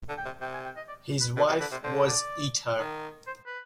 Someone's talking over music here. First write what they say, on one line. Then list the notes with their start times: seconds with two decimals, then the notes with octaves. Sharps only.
His wife was Etar.
0.09 D3
0.18 G5
0.26 C3
0.41 C3 G5
0.53 G#5
0.65 G5
0.77 D#5
0.88 D5
1.21 B4
1.36 B2 B4
1.48 C3 G#4
1.60 D3 B4
1.71 C3 C5
1.84 D3 C5
2.08 D5
2.79 D#3
3.27 C5
3.47 B4